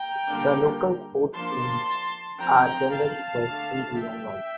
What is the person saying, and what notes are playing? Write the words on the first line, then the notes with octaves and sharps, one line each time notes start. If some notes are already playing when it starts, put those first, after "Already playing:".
The local sports teams are generally dressed in green and white.
Already playing: G5 A#5
D3 G3 A#3 D4
F3 A#3 D4 A5 C6
D3 F3 C4 G5 A#5
F5 A5
D3 A3 D4
E5 G5